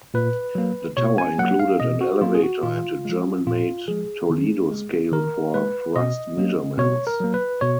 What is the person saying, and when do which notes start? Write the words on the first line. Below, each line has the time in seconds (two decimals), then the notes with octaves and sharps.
The tower included an elevator and a German-made Toledo scale for thrust measurements.
0.14 A#2 B4
0.55 F#3 A#3
0.97 B2 C#5
1.18 G#5
1.38 F#3 A#3 F#5
1.59 F5
1.80 B2 D#5
2.01 F#4
2.21 F#3 A#3 F4
2.35 G#4
2.43 F#4
2.63 A#2 F4
3.05 F3 G#3
3.46 A#2 F4
3.88 F3 G#3 G#4
4.30 D#3
4.71 G#3
5.12 D#3 A#4
5.54 G#3 B4
5.96 B2 D#5
6.37 F#3 A#3
6.78 B2 C#5
7.07 A#4
7.20 F#3 A#3
7.34 B4
7.61 B2 C#5